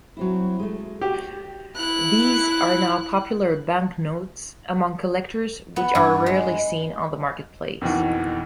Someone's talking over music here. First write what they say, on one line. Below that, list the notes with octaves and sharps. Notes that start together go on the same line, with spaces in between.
These are now popular banknotes among collectors which are rarely seen on the marketplace.
F#3 C4 E4
G#3 A3
F#4 G4
E4 F#6
B3
G2
G#3
F2 B2 D#3 E3